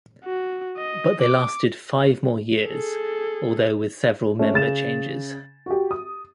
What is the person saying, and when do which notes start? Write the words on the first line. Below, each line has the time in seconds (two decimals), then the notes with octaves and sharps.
But they lasted five more years, although with several member changes.
0.25 F#4
0.77 D#5
1.22 D6
2.66 G#4 A4
4.39 A3 C#4
4.54 C#3 A6 E7
5.66 F#4 G4
5.91 D#6